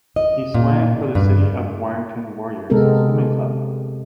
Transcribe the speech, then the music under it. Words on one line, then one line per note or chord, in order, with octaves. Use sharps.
He swan for the City of Warrington Warriors Swimming Club.
D#5
A#2
G2
C3 G#3 B3 C4 A4 A#4